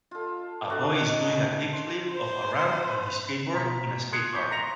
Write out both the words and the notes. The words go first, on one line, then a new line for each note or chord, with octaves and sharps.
A boy is doing a kick flip off a ramp on his skateboard in a skate park.
F4 A4
D4 F#4 A4
D#3
C6
C5
B2 A#5 B6
C6 D#6 F#6 G#6 C7 C#7
C#6 D6 G6 B6
A#5 C6 A#6 C#7 F7